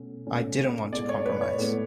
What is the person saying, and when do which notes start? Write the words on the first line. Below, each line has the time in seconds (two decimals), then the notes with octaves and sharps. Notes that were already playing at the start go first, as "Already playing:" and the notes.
I didn't want to compromise.
Already playing: B2 A3 C#4
0.27 B2 A3 C#4
0.93 A2 G#3 B3 D5
1.09 C#5
1.25 B4
1.42 C#5
1.58 A2 G#3 B3